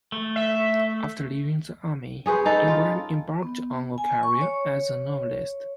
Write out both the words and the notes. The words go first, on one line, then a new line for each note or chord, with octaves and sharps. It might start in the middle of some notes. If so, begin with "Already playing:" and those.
After leaving the Army, Ingram embarked on a career as a novelist.
A3
E5
C#4 G#4 B4 C5
D#4 G#4 A4 B4
F4
B3
G#5
C#6
C#5